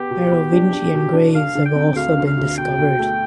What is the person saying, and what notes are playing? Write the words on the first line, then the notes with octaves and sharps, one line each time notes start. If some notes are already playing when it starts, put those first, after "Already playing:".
Merovingian graves have also been discovered.
Already playing: B3 G4
B2
B3
D4
D4
B2
D4
D3 F5
D3
G5
C4
D2 F5
D3
F5
D2
B2 G5
B2
A3